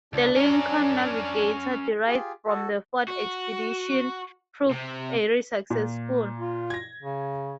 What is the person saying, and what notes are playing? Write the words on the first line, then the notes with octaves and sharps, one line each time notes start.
The Lincoln Navigator, derived from the Ford Expedition, proved very successful.
C#2 D4
C#4 A#4
F4 G4 G#4
F#4 A4
F#4
C3
A#2
F4
G#6 A#6
C#3